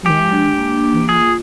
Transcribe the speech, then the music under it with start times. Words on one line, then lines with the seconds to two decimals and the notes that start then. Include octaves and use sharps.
Yeah. Yeah.
0.05 G#3 G4
0.32 D4
0.58 A#3
0.84 A#3
1.09 F4 G#4